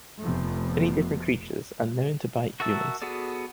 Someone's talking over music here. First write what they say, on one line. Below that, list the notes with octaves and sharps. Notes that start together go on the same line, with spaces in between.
Many different creatures are known to bite humans.
F1 C3 F3 A3 B3
F#4 A#4 E5 A5 E6
B3 F#4 G#4 A4 D5